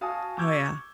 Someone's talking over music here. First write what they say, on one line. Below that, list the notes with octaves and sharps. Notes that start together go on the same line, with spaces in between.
Oh, yeah.
F#4 F5 G#5 A5 D#6
C#6 D6 E6 G6 G#6